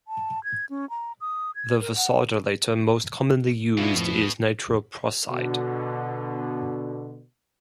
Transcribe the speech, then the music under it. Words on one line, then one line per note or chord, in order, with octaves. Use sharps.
The vasodilator most commonly used is nitroprusside.
A5
G#6
C#4
A#5
D#6
G#6
A#4
F#5
B2 D4 E4 F4
F2 A2 F3
B2 D3